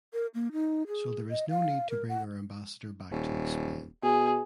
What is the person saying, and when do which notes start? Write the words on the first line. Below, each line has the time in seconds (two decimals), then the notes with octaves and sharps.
So there is no need to bring our ambassador back to explain.
0.13 A#4
0.34 A#3
0.53 D#4
0.88 G#4
1.30 D#5
1.50 F5
1.90 A#4
2.09 F#5
3.11 D#1
4.03 B2 G#4